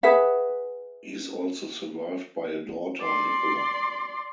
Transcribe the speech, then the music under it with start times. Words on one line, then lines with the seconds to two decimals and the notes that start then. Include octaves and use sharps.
He is also survived by a daughter, Nicola.
0.03 G#4 B4 E5 F#5
3.00 D5 C6